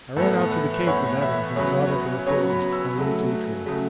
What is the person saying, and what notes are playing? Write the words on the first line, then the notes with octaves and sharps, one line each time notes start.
I ran out to the Cape with Evans and saw that the report was only too true.
A2 E3 B3 A4
B4
A2 E3 B3 C#5
E5
C#3 F#3 B3 C#5
C#5
B4
C#3 F#3 B3 C#5
B5
E6
C#3 F#3 A3
C#3 F#3 A3